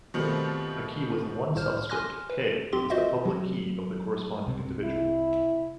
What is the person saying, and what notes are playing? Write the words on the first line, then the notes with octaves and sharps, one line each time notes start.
A key with one subscript, K, is the public key of the corresponding individual.
B2 D#3 F3 G3 A3 C4
C2 A2 C5 F6
G#5 C6 D6 F6 F#6 A#6
B4
B1 C4 G4 C6
F4 F#4 C5 D#5 E5
F#3
C2 C3
E4